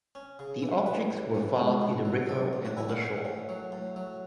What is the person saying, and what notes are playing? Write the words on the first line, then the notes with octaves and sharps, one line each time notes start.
The objects were found in the river and on the shore.
C#4
C#3
E3
A1 B4
A2
E3
C#2
B2
F#3
B1 A4
A2
F#4
E3 E4
F#4
C#4
A2
F#3
A2
F#3